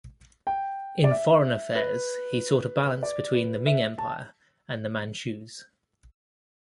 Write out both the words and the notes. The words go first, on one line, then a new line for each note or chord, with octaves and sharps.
In foreign affairs he sought a balance between the Ming Empire and the Manchus.
G5
D5
E5
B4
D5
B4
E5
A5